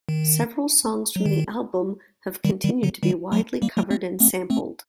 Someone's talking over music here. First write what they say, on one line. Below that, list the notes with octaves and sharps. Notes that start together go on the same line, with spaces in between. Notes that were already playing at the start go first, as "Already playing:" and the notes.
Several songs from the album have continued to be widely covered and sampled.
D#3
F#3
D#3
D#3 G3
D#3 G3
D3 F#3
D#3 G3
F#3 A3
G3 A#3
F#3 A3
A3 C4
A3 C4
A3 C4